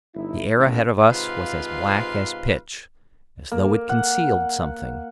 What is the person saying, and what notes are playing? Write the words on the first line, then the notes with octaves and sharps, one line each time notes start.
The air ahead of us was as black as pitch, as though it concealed something.
G1 D#4 E4
A1
G#2 C3 F4 B4 F5 C6
A#3
F#5